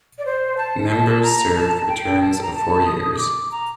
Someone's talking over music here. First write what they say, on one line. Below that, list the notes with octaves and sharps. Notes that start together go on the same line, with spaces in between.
Members serve for terms of four years.
D5
C5
A5
A5
A#5
A5
G5
A5
A#5
A5
D#6
D#6
D6
A#5